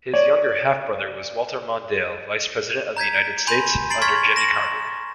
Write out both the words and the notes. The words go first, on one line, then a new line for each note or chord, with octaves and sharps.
His younger half-brother was Walter Mondale, Vice-President of the United States under Jimmy Carter.
C#5 D5
A#5 G6 G#6 B6
G#5 B5 C6 G6 D#7
A#5 A6 C7 D7 F#7
C6 C#6 F6 G#6 A6 B6
A#6 E7 F#7